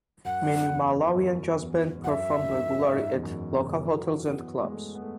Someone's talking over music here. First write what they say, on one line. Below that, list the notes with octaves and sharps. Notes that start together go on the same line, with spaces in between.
Many Malawian Jazz band perform regularly at local hotels and clubs.
F#2 F#5
E2
F#2
E2
G#2
F#2 E5 F#5
G#2
F#2
G#2
E2
F#2
C#3
B2
C#3
E3
F#3
E3
B3
G#3
A3
B3
A3